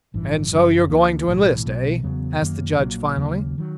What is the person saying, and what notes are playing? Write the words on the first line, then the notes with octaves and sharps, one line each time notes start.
"And so you're going to enlist, eh?" asked the Judge finally.
A1 G2 E3
F#1 F#2 C#3 F#3
D2 D3 F3 A#3
B1 A2 E3
B1 B2 F#3 B3
E2 C#3 F#3 B3
F#2 D#3 F#3 A#3
A#1 A#2 F#3 A#3
D#2 C#3 F#3 A#3
D#3 F#3